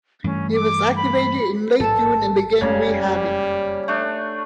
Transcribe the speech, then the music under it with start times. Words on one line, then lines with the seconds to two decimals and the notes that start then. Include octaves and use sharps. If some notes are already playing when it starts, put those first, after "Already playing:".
He was activated in late June and began rehabbing.
0.24 G2 E3 A3 C#4
0.54 D6
0.96 B5
1.80 A1 G#2 F#3 A4 A5
2.61 F1 F#2 C#3 G3 G#3 A#3
3.88 A3 D4